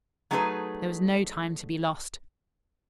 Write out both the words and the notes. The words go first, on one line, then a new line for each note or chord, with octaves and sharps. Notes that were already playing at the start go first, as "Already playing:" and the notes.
There was no time to be lost.
F#3 A3 D#4 G#4 A4 B4